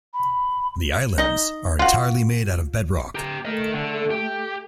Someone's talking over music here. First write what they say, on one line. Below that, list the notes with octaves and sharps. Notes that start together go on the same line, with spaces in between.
The islands are entirely made out of bedrock.
B5
D#4 D#5
F4 F#4
G4 A#5
A3 A#4 D#5
D3
G4